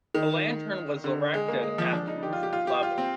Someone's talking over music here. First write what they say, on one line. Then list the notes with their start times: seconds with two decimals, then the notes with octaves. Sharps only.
A lantern was erected at roof level.
0.14 D#3
1.04 D3
1.34 G#3
1.48 A#3
1.63 G#3
1.78 F3
1.93 D4
2.08 D#4
2.23 G4
2.33 F4
2.43 G4
2.53 F4
2.67 G4
2.83 F4
2.98 C4